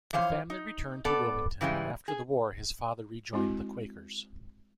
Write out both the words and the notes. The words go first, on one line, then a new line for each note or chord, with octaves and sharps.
The family returned to Wilmington and after the war his father rejoined the Quakers.
E3 F3 C5 C#5 F5
D#4
B3 A4 D5
C#3 E3 G3 G#3
G#4
G#3 C4 E4 F#4